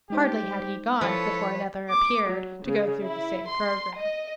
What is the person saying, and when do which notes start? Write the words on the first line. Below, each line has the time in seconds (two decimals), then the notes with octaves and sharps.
Hardly had he gone before another appeared, to go through the same program.
0.10 G#3 D#4 G4 C5
1.01 F3 E4 A4 B4 C#5 C#7
1.89 D6
2.29 F#3
2.63 C#3
3.05 E4
3.51 C6
3.98 D#5